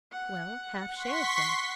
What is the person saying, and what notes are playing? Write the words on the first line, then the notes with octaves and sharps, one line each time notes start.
"Well, half shares then."
F#5
C6 C#6 B6